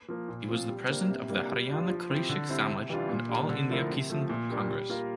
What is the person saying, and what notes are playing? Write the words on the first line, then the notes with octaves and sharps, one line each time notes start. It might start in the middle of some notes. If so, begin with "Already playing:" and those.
He was the president of the Haryana Krishak Samaj and All India Kisan Congress.
F3 A#3
A#2
F3 C4 F4
G3
A#3 D4 G4 C5
C3
G3 A#3 D4
G3
D4 F4
F3
C4 E4 G4
D3
G3 C4 E4
C3
E3 G3 D4 F4
A#2
G3 D4
D3
F3 A3 E4 A#4
C3
F3 A3
A#2
G3 A#3 D4
G3
A#3 F4 A#4